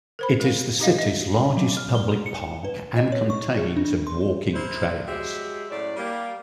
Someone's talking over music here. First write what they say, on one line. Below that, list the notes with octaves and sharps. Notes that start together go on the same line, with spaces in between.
It is the city's largest public park and contains of walking trails.
A#4 C5 B5
A#4 F5
D#4 G4 D#5 F5
D#5 E5
F#3
F6
G7
C#7
B4
D#5
C#5
C#6
G#4
D4
C6
E4 A#4 C5
F#3 G#3 G4 G#4 E5
F#2 A2 D5
G3 A#3